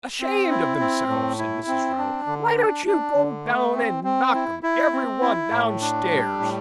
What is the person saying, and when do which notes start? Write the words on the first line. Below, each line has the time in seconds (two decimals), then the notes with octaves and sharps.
'Ashamed of themselves!' said Mrs. Raddle. 'Why don't you go down and knock 'em every one downstairs?
0.20 C4
0.50 E4
0.79 C4
1.09 A2
1.39 E4
1.68 C4
1.98 D4
2.27 D3
2.57 D4
2.87 D4
3.15 D3
3.45 A3
3.75 C4
4.04 C4
4.34 E4
4.63 E4
4.92 C4
5.22 E4
5.51 A2
5.81 D4
6.11 G3
6.40 A2